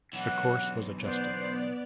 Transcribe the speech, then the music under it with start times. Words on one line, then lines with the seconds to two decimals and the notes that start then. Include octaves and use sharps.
The course was adjusted.
0.13 B1 E3 F#5
1.02 B3 C5 D5